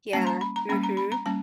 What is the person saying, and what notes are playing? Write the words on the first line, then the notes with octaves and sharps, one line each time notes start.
Yeah, mhm.
G3 A#3 C#4 A5
A#5
B5
A#5
G3 A#3 C#4 B5
A#5
B5
A#5
G3 A#3 C#4 A5